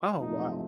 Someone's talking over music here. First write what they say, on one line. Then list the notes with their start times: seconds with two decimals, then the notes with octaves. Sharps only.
Oh, wow.
0.18 E2 C3 F3 A3 D#4